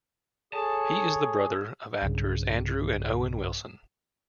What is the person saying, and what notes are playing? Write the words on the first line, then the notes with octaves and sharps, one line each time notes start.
He is the brother of actors Andrew and Owen Wilson.
G#4 A4 C#5 A5
B1 G2 C#3